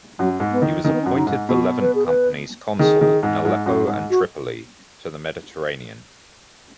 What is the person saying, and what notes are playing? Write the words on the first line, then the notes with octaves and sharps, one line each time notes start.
He was appointed the Levant Company's Consul in Aleppo and Tripoli, to the Mediterranean.
F#2 F#3
G#2
B3
D#3
D#3 C#4
B3
C#4
F#2
D#4
G#2
B2 F#4
B4
G#4
B4
D#3 G#4
D#3
G#2
G#2
F#2
G#2
F#4